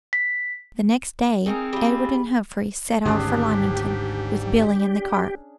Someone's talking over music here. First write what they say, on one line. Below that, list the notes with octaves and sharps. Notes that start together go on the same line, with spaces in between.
The next day, Edward and Humphrey set off for Lymington, with Billy in the cart.
B6
C4 D#4 F4 G#4 A#4
G3 F4 B5
G#1 D2 G#2 C#4 D4 G4 G#4